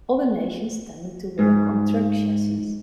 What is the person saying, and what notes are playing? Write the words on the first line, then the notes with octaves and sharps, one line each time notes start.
Other nations tended to work on truck chassis.
G#2